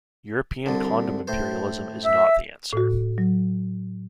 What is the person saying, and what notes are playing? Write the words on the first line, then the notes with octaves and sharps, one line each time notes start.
European condom imperialism is not the answer.
C2 D3
A2 C5
E5
A2 F#4
F#3